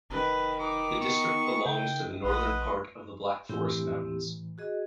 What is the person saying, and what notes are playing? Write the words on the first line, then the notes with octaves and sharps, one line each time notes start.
The district belongs to the northern part of the Black Forest mountains.
F1 D#3 B4
D#4 D6
B3 C#6
C#3 G5
A#1 B4 D#5 F#5
A2 E3 C4 E4 G4
F#4 G#4 D#5